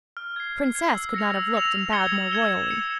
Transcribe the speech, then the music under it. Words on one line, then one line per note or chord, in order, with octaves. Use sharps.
A princess could not have looked and bowed more royally.
F6
G#6 C7
F6
G#6 C7
E6
A#6 C#7 F7
E6
A#6 C#7 F7
E6
G#6 C#7 E7 G7
E6
G#6 C#7 E7 G7
G#6
C#7 E7